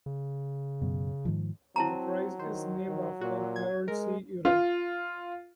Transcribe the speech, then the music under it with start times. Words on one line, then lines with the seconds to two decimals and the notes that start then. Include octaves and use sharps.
The prize is named after Harold C. Urey.
0.06 C#3
0.82 F#2 B2
1.25 G#2 D#3 F3
1.76 F#3 C4 E4 A5 A#5
2.39 D#3 C5
2.87 D#3
3.21 A#2 F#4
3.56 G#6
3.88 G#3 A#4
4.45 F4